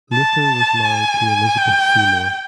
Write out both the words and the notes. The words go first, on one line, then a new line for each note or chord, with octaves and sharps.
Luther was married to Elizabeth Seymore.
A5
G#5
G5